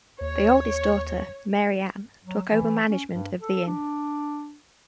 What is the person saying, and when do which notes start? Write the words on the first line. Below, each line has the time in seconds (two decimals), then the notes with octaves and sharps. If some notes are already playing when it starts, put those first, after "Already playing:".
The oldest daughter, Mary Ann, took over management of the inn.
0.21 D#2 C#5
2.25 F#3
2.50 E3
2.88 C#4
3.12 G2
3.40 A4
3.67 D4